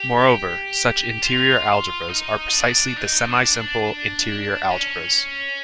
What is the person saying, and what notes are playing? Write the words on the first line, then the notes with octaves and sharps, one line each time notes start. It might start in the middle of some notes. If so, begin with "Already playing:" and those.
Moreover, such interior algebras are precisely the semisimple interior algebras.
Already playing: G4
F4
D#4
D4
D#4
D4
D4
C#4